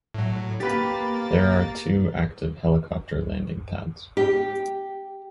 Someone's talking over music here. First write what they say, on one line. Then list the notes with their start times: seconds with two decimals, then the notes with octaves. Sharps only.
There are two active helicopter landing pads.
0.14 A2 F#3
0.60 A#3 G4 B4 A6
4.17 G4